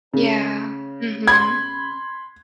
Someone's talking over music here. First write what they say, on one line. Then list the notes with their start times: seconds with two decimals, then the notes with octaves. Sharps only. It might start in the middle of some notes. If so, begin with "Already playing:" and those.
Yeah. Mhm.
0.14 C#3
1.27 B5 C6 G#6